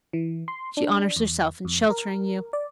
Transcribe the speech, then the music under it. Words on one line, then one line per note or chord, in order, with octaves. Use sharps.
She honors herself in sheltering you.
E3
C6
D4
E2
F2
A#4
D5